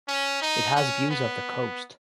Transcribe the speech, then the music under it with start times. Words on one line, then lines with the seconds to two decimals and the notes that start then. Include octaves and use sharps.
It has views of the coast.
0.08 C#4
0.42 D#4
0.76 C#4
1.10 B3